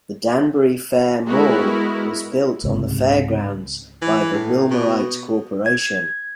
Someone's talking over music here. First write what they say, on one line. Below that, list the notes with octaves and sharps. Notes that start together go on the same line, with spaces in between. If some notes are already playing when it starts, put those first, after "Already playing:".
The Danbury Fair Mall was built on the fairgrounds by the Wilmorite Corporation.
G#3 B3 E4 F#4 A#4
C#2 G#2 C3
E3
A2
B2
G#6